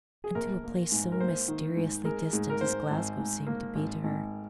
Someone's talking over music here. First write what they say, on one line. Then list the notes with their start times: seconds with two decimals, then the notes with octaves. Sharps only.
And to a place so mysteriously distant as Glasgow seemed to be to her!
0.24 G#4
0.35 A#1 A#4
0.64 A#3
0.92 G#2
1.12 A#4
1.20 A#3 C5
1.48 D#3
1.77 G#2
2.05 G#3 A#4
2.33 G#2 G#4
2.50 A#4
2.61 G#2 C5
2.90 G#1
3.18 G#2
3.47 A#3
3.75 G#1
4.04 G#1